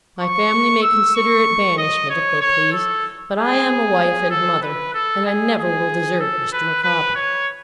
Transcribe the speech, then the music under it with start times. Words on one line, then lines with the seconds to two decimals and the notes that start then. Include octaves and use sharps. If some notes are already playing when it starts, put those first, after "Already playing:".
My family may consider it banishment, if they please; but I am a wife and mother, and I never will desert Mr. Micawber.'
0.19 C#6
0.82 E6
1.15 C#6
1.78 D#5
2.10 C#5
2.41 C#5
2.72 A4
3.35 G#4
4.30 A4
4.62 B4
4.94 A4
5.25 G#4
5.57 G#4
6.20 A4
6.52 B4
6.83 B4
7.15 C#5